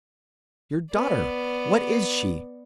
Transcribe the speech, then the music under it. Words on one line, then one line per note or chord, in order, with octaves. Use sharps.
Your daughter--what is she?
B3 D5